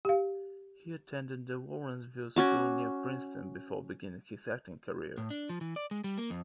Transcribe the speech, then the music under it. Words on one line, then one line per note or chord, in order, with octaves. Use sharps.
He attended The Lawrenceville School near Princeton before beginning his acting career.
G4 F5
C#4 F#4 D6
A2
D4
F3
E3
D5
G#3
G3
A#3
F2